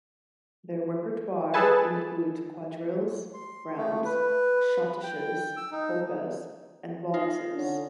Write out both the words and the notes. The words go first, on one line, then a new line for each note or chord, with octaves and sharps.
Their repertoire includes quadrilles, rounds, shottisches, polkas, and waltzes.
G#4 A4 B4 G#5 A5
C6
A3
B4
G5
E6
D#4
D#4 F4
D3 C#4